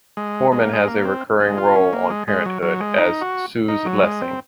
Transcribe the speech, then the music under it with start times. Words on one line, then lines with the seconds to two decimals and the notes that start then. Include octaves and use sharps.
Foreman has a recurring role on "Parenthood" as Suze Lessing.
0.17 G#3
0.52 G#3
0.63 A#3
0.73 G#3
0.87 A#3
1.05 C4
1.40 G#3
1.57 F4
1.75 C#4
1.93 A#3
2.10 G#3
2.28 G#3
2.46 F#3
2.62 F#3
2.81 G#3
2.98 D#4
3.21 F#4
3.68 D#4
3.86 F#3
4.03 G#3
4.21 C4